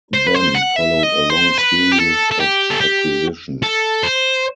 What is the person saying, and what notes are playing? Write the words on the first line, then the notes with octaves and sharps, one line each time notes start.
Then followed a long series of acquisitions.
C5
B4
C5
F#5
E5
D#5
C5
B4
G4
A4
A4
G4
A4
G4
A4
C5